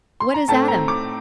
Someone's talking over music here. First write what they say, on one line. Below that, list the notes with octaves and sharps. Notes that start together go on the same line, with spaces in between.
What is Adam?
C6
A#5
A2 A3 C4 A5
A#5
D6